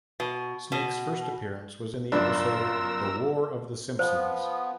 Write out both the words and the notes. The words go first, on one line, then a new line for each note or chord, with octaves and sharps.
Snake's first appearance was in the episode "The War of the Simpsons".
B2
B2
G1 F#2 D4 F4 A#4 B5 E6
F3 B3 C5 F5